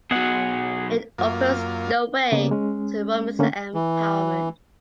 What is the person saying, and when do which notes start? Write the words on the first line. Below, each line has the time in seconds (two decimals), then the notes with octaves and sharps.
It opens the way to women's empowerment.
0.11 B2 F#3 G#4 F#5
1.18 F#2 A#3 F4
2.32 C#3 A#3 B3
2.51 G#3 C#4
3.39 D3 A3 A#3 C#4 D4
3.74 E3